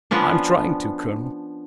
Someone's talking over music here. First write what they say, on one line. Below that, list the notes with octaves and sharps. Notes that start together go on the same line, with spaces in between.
"I'm trying to, Colonel."
F3 B3 C#4 D4